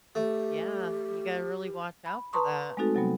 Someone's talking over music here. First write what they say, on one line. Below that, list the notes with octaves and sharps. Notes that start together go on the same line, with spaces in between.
yeah, you gotta really watch out for that.
A3 G4
B5
B4 A5 A#5 C6 C#6 D#6
G#3 A3 C4 D#4 F#4 A4
C3 F#3 G3 B3